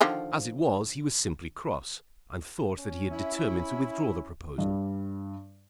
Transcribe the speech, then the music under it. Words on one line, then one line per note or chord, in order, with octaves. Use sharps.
As it was he was simply cross, and thought that he had determined to withdraw the proposal.
D3 D#3 F3
C#4
E4
G2 G3